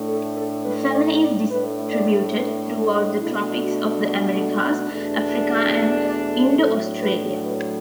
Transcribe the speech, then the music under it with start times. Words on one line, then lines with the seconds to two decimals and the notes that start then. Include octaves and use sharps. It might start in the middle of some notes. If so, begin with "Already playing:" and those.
The family is distributed throughout the tropics of the Americas, Africa and Indo-Australia.
Already playing: A2 A3 D4
0.08 A4
0.37 A4
0.65 B4
0.94 D5
1.22 D5
1.50 A2 A3 D4 B4
1.93 D5
2.35 B4
2.78 A4
3.20 B2 A3 D4 E4
3.63 F#4
4.05 A4
4.90 E2 B2 A3 D4
6.03 D5
6.32 A4
6.60 A2 F#3 A3 D4 A4
7.02 B4
7.45 B4